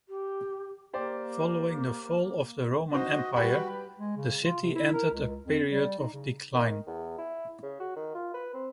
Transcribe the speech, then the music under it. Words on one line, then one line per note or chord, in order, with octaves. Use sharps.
Following the fall of the Roman Empire, the city entered a period of decline.
G4
A#3 G4 C5 D5
D#4 F#4 C5 D#5
G3 F#4 G4 B4 B5
G#3
C#3
F4
C3
E4
A#4
C#2
F2
G3
D#4
C#3
D#3
E2
E4
C#3
F#4
D#3
F4
B4
C4